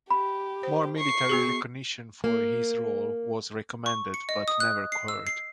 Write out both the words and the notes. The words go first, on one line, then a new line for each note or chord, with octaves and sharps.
More military recognition for his role was recommended but never occurred.
G4 B5
C5
C#6 C7
B3 F#4 G#4
A#3
C#6
C#7
D#5
D#6
F#6
C7
E6
C7